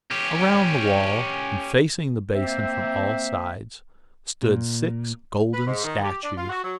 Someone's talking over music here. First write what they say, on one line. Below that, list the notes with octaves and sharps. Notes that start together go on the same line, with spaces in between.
Around the wall, and facing the basin from all sides, stood six golden statues.
C#4 G4
A#3 C4 C5 E5
A#2
B4
G#2
D#3
G4
D4
F4
F#4
F#3